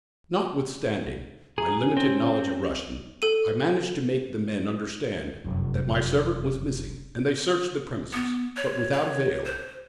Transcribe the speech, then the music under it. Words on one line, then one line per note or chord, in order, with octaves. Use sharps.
Notwithstanding my limited knowledge of Russian, I managed to make the men understand that my servant was missing, and they searched the premises, but without avail.
G#4 A#5
C#4
C4
A4 D#7
F1 F#2
B3
C#5
C#5
C5